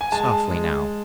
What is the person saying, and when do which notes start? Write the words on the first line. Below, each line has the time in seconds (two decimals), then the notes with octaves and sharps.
Softly now.
0.01 G#5
0.12 G#3 A5
0.51 G#3